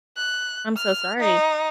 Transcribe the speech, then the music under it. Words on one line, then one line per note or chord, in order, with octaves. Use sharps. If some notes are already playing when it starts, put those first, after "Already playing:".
I'm so sorry.
F#6
F6
D#4